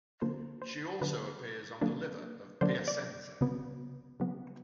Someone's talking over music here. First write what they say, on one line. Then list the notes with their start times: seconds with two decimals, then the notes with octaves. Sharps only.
She also appears on the Liver of Piacenza.
0.21 D3 F#3 A#3 D4 C5
0.62 C5
1.01 D3 F#3 A#3 D4 B4
1.81 D3 F#3 A#3 D4
2.61 D3 F#3 A#3 D4 C5
2.88 D5
3.41 C#3 F#3 B3
4.20 C#3 F#3 B3